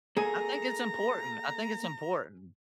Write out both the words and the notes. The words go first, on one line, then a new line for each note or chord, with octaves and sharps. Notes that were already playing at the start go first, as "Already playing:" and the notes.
I think it's important, I think it's important.
A#3 G#4 A4 G#5 A#5